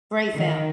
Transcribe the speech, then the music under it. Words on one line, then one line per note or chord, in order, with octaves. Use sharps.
Great film.
D#3